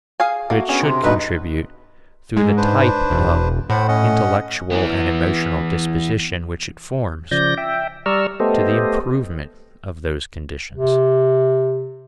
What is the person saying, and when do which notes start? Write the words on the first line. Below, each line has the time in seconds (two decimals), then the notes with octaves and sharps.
But it should contribute through the type of intellectual and emotional disposition which it forms to the improvement of those conditions.
0.20 G#4 F5 G#5
0.50 A3 A#3 F#4
0.69 B3 C#4 D4 G#4 C#5
0.82 C3 A#5 C6 D6
1.03 G2 B2 A3 D#4 B4 D#5
2.37 G#2
2.57 D4 B4 C5
3.10 E1
3.70 A2 C5 F#5 B5
3.88 C#4 D#5 F#5
4.71 E3 B3
7.31 C#3 F3 D5 G6 A#6
7.57 E5 G5
8.06 G3 D5 A#5 C#6 E6 F6
8.40 A3 B3 G4 A4 C5 D#5
10.74 C3